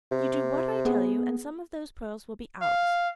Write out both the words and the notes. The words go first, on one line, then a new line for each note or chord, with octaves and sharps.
You do what I tell you and some of those pearls will be ours.
C3
B3 G#4
F5